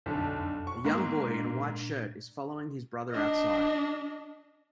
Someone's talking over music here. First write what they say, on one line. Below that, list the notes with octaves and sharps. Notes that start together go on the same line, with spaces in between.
A young boy in a white shirt is following his brother outside.
B1 F2 D3 A5
C#6
G#2 A#3 B3
A#2 D4
D4 D#5